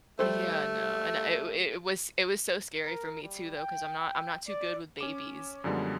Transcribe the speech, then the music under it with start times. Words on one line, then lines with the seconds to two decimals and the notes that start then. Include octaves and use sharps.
Yeah, no, and it it was it was so scary for me too though, 'cause I'm not I'm not too good with babies.
0.19 G3 A3 A4 C5
2.85 A#4
3.22 G3
3.56 G5
3.99 G5
4.48 D5
4.99 C#4 D6 E7
5.64 F#2 D3 F3 G3 G#3 B3